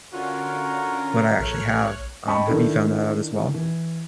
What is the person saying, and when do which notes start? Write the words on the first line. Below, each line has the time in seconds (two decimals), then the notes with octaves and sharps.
what I actually have, um, have you found that out as well?
0.13 D3 C#4 F4 F#4 A#4
1.40 A#1 A3 C#5 F6 F#6
2.27 D#5 G5 A5 B5 C#6
2.47 D#3 D4 E4 A4
3.54 E3